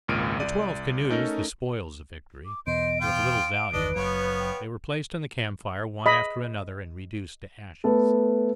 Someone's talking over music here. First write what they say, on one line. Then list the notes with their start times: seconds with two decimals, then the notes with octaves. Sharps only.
The twelve canoes, the spoils of victory, were of little value; they were placed on the camp fire one after another, and reduced to ashes.
0.08 G#1 C#2 A#2 F6 D7 D#7
0.40 C2 D5 D#7
1.09 A3 C#4 D#4 A4 A#4 D#5
2.46 D6
2.67 E2 B2 C5 D#5 D7
3.01 F3 F4 F5 G5
3.73 G1 E2 D#3 D4 B4 D#5
3.96 F#1 F#2 F3 B3 C#5
4.40 G5
6.06 D#5 B5
7.84 A3 B3 A4